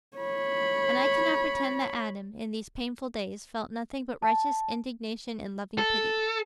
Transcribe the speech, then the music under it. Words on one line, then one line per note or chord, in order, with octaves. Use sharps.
And I cannot pretend that Adam, in these painful days, felt nothing but righteous indignation and loving pity.
C#5 B5
A5
A4